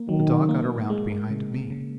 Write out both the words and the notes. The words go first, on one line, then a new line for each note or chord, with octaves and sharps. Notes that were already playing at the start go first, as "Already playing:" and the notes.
The dog got around behind me.
Already playing: A#3
D#3 F#3
A#3
G#3
C#3
C#3